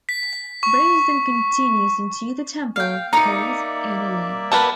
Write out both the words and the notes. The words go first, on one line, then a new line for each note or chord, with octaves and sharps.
Rose then continues into the temple, cold and alone.
B6
C#6
F5 G5
A#3 D#4 D5 E5 A#5 D#6 C#7
B3 A#4 B4 A5